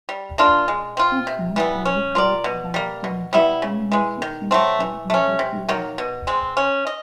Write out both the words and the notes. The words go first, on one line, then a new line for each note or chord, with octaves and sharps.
Her songs were recorded by Don Gibson, Nancy Sinatra, and Dottie West.
G3
A#3 D4 F4
G#3
C4 F4
C3
E3 G3 B3
C#4
F4 A#4 D5
B2
G3 A#3
B2
G3 B3 E4
C#3
E3 G#3
D#3
F#3 A3 C4
E3
A3 C#4
C3
D#3 F#3 A#3
B2
G#3 C4
C#4
D#5